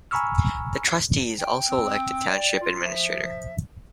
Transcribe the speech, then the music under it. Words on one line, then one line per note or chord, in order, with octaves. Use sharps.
The trustees also elect a township administrator.
G#5 A#5 B5 C#6 E6 F6
G5
C4
D5
F4
F3 E5